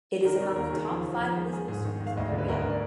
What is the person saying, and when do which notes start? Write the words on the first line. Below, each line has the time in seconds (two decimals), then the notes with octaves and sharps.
It is among the top five business schools in Korea.
0.25 D#3 A#4
0.41 D#3 D5
0.56 D#2 A#4
0.72 D#3 G#4
0.89 F3
1.05 F3
1.21 F3
1.36 G#3
1.52 G#3 G#4
1.68 G#2 G#4
1.84 D#3
2.01 G#2
2.07 F5
2.17 D2 D#5
2.28 D3 D5
2.38 B4
2.48 D2 A#4
2.59 B4
2.64 D3
2.70 D5